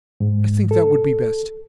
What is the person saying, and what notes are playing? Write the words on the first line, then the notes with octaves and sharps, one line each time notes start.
I think that would be best.
G#2
A4